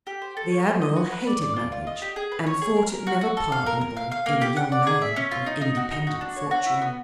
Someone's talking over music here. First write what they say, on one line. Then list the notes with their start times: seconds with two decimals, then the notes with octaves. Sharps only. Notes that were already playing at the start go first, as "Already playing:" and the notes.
The Admiral hated marriage, and thought it never pardonable in a young man of independent fortune.
0.07 G4
0.22 C5
0.37 A4
0.52 C#5
0.67 C5
0.81 D#5
0.96 F#4
1.12 B4
1.27 D5
1.42 D5
1.56 F4
1.72 F4
1.87 D#5
2.02 G4
2.16 G#4
2.32 B4
2.47 C#5
2.62 G#4
2.77 A#4
2.92 A#4
3.07 F#4
3.21 F#4
3.37 A4
3.52 F5
3.66 A#4
3.81 A#4
3.97 F5
4.12 F5
4.26 A#3
4.41 G4
4.56 F#5
4.72 D5
4.87 G#4
5.02 E5
5.16 C#4
5.31 F4
5.46 D#4
5.61 D#4
5.76 F#4
5.91 D#4
6.07 F#4
6.21 D4
6.36 C#5
6.51 F#4
6.66 E4
6.81 B3